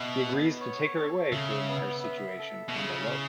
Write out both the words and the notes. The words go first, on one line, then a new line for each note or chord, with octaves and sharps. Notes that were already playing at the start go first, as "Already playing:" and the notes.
He agrees to take her away from her situation and elope.
Already playing: B2 E5
B3
C#5
A4
C#3 E5
B3
E5
A4
B2
C#3 E4
E4